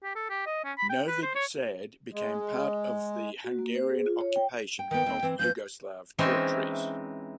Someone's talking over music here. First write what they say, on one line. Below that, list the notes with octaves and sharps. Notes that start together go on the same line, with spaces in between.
Novi Sad became part of the Hungarian occupation of Yugoslav territories.
G4
A4
G4
D#5
C#4
B5
G5
B4
C5
C#5
G#3
F#4
A#3
C5
G#4
F4
C#5
G5
G5
D#3 B3 G5
D#2 C4
E3 C4
F3 C#4 B4 G6
E3 G#3 C4 C#4 D#4 E5